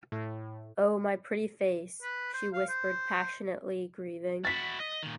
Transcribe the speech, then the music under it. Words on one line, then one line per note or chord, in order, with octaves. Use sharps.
"Oh, my pretty face," she whispered, passionately grieving.
A2
B4
C5
F5
C5
E4 F#4 A6 B6
D#5
A#2 D#3